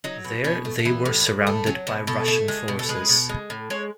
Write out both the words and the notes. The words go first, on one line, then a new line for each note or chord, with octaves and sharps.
There they were surrounded by Russian forces.
F#3 D#4
B2
B2 C#4
A3
A3
E3 B3
A2
A2
A3
F#3 C#4
B2 B3
B2 A4
A3
G#3
B2
A4
G#3 B4
B2
G#3
A2
G#3 C#5